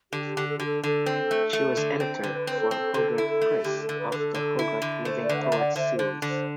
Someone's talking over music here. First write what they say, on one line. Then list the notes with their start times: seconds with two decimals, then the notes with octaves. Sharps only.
She was editor for Hogarth Press of the Hogarth Living Poets series.
0.12 D3 G4
0.37 D3
0.48 A4
0.57 D3 G4
0.65 A4
0.83 D3 A4
1.06 C4
1.31 A3
1.53 A3
1.77 D3
2.00 C4
2.23 D3 B4
2.47 C4
2.59 A4
2.71 C4
2.94 D3 A4
3.18 E4
3.29 A4
3.41 A3
3.64 D3 G4
3.83 A4
3.89 D3
4.00 B4
4.12 D3
4.18 A4
4.35 D3
4.59 E4
4.82 D3
5.05 A3 C5
5.23 B4 D5
5.29 D3
5.35 F#5
5.41 C5 E5
5.52 D3
5.58 D5 F#5
5.75 D3 C5 E5
5.93 C5
5.99 D3
6.22 D3
6.29 C5